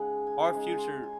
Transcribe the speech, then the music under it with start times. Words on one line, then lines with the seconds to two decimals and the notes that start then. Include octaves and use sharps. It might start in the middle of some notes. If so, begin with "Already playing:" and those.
Our future
Already playing: C#3 G#3 D#4 F#5
0.27 G#5
0.52 C#3 G#3 D#4 A5
0.77 C6
1.03 G#5